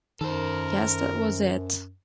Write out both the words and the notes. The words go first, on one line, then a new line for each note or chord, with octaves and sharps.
Guess that was it.
F#2 D#3 A4 A#4 C5